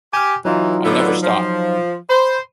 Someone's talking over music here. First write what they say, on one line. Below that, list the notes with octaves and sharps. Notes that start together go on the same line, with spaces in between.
I never stop.
G4 G#5 F6
E3 F#3 D#4 F4
A2 D3 B3
F3
C5 B5